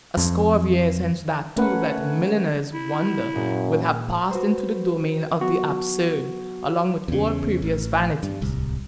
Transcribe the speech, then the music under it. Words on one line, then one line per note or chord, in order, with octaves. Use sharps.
A score of years hence that too, that milliner's wonder, will have passed into the domain of the absurd, along with all previous vanities.
F2
A3 C#4 A#4 B4 F#5
E4
F#2 A#2 G#3
F#4 B4 C5
F#3 B3 F#4
E2 C#3
A1
G2
D1 C2